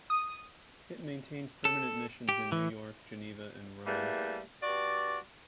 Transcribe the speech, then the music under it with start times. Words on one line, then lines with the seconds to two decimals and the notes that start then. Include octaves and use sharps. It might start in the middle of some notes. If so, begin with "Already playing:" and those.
It maintains permanent missions in New York, Geneva, and Rome.
0.10 D#6
1.65 A4
2.29 G4
2.52 E3
3.85 E2 G3 A3 A#3
4.61 G2 F#4 D5